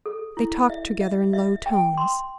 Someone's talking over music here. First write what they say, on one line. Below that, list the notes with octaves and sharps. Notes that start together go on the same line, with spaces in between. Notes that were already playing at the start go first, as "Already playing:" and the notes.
They talked together in low tones.
A4
E4
E5
E5
E5
G5
C6